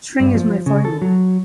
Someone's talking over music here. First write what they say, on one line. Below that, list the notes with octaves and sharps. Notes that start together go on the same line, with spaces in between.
String is my foible.
G2
F3
C#3
A4
F#3